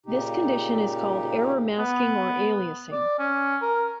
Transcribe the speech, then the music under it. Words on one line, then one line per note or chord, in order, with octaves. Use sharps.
This condition is called error masking or aliasing.
A#2 C#3 D#4 G4
B3
D5
C#4
A#4